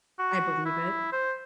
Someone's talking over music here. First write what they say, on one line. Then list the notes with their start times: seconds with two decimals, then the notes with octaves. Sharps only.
I believe it.
0.19 F#4
0.65 E4
1.13 C5